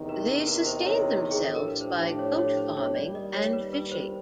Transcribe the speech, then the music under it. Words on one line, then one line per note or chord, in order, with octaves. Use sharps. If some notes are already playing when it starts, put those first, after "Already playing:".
They sustained themselves by goat farming and fishing.
Already playing: E2 C3 D#3
B4
A#4
B4
C5
C#5
G#4
A2 F3 A3 D4 G4 A4
A#4
B4
C5
C5
C#5
C#5
C5
C#5
D#2 D#3 G3 D5
D#5
C#5
B4
B4
C5